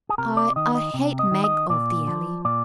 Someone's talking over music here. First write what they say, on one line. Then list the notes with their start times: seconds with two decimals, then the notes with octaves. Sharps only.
I--I hate Mag of the Alley.
0.09 G#4
0.18 C3 A#4
0.37 D5
0.56 D#3 D#5
0.75 D#5
0.94 C3
1.19 D#5
1.31 D#3
1.44 D#5
1.69 A#2 D5
2.07 F3
2.45 A#2 D5